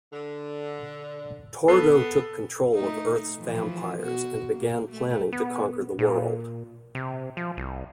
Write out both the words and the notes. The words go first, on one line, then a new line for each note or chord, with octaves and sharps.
Torgo took control of Earth's vampires, and began planning to conquer the world.
D3
B3 A4 C7
A3 D#4
E3 F3
B2 F#4
A#3
A3
B3
A#2
C3
F3
C2